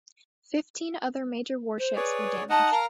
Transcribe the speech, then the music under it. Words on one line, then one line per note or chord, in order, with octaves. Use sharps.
Fifteen other major warships were damaged.
C5
G#4 B4 C#5 D5
D#4 D#5 F#5 A5
A#4 F5 A#5